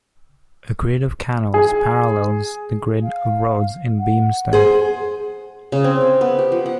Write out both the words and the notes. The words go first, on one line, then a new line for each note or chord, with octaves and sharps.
A grid of canals parallels the grid of roads in the Beemster.
G#4 G#5
F5
F#5
G#4 C5 G#5
C#3
C4
C#4
B3
G4
F3
F#5